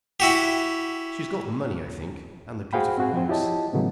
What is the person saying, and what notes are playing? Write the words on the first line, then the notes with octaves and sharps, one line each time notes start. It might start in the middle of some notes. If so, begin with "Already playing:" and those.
"She has got the money, I think--and the beautiful house."
E4 F#4 G4
F#4 G#4 C5 F5 G5 B5
C4 F#4 G#4
F3 C4
E4 F4 G4 C#5 D#5 A5
A2 C#3 E3 F#3 A3 B3